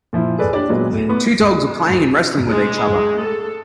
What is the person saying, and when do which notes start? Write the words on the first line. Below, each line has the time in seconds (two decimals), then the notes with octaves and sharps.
Two dogs are playing and wrestling with each other.
0.13 A#2 F3 E4
0.38 G#4 A4 B4 D5
0.53 D4 G4 C#5 D5
0.69 A#2 F#3 G#3 B3
0.93 A2 A3
1.10 B3
2.49 G#3
3.21 A4